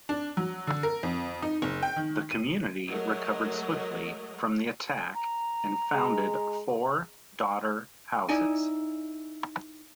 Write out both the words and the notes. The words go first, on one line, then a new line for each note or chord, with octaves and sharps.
The community recovered swiftly from the attack and founded four daughter houses.
D4
F#3
D3
A#4
F2
D#4
F#1
G5
D#3
D#7
F#3 G#3 A3 A#4 D#5
A#5
G#3
D#4 E4 D5 G#5